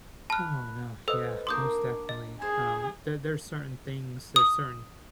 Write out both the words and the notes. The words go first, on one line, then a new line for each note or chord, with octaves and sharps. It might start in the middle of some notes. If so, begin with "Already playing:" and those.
Oh, no. Yeah, most definitely. Um, there there's certain things there's certain
A5 B5 F6 F#6
A4 B4 C5 D#5 E6
A#3 D4 F#4 C6 D6 D#6 G6
D#5
G#4 C5 G#6
D#6